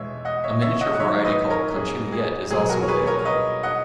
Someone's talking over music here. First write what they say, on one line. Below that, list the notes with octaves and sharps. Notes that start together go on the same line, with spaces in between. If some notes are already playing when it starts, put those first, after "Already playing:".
A miniature variety called "conchigliette" is also available.
Already playing: E2 B2 G#3 C#5 E5
D#5 F#5
C#5 E5
C#5 E5
D#5 F#5
F#5
G#2 D#3 F#3 C#5 E5
B4 D#5
A#4 C#5
G#4
G#4
B2 F#3 G#4
F#4 A#4
C#5
G#4 B4
A#4 C#5
C#5
B4 D#5
D#5 F#5